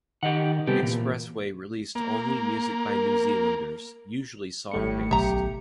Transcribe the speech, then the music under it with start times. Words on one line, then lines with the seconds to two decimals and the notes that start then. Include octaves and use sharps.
Xpressway released only music by New Zealanders, usually song-based.
0.23 D#3 G4 D#5 F#5
0.67 C3 G3 B3 G4 A4
0.83 A#2 E3
1.95 A#3
2.89 A#4
4.71 G#1 A2 G3 A3 C#7
5.11 B1 G4 E5 A#5